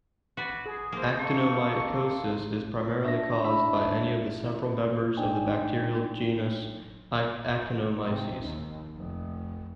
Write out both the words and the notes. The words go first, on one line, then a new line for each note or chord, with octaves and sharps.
Actinomycosis is primarily caused by any of several members of the bacterial genus "Actinomyces".
F#4 B4 D5
G#4
A#3 C5
A#3 A4 C6 C#6
D4 E5 A#6
E4 E5 B5
D4 D#4 C5 D5 G5 G#5
C3
D#2
F1